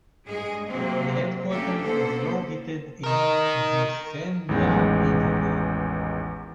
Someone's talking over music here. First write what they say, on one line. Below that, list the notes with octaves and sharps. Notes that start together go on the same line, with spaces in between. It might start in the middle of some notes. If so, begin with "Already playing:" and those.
The headquarters is located in Vicenza, Italy.
G2 G#3 G#4
C3 F#3 A#3 C4
A3 A#3 C#4 D4 G4 A4
A#3 B3 A4 C5
D#4 A#4
A1 E2 D#3 G#3